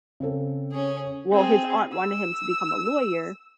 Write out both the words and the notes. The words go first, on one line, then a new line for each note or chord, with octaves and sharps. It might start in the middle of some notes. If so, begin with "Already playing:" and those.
well, his aunt wanted him to become a lawyer,
C#3 C4 A4
C#4 G#4
C4 G#4
E6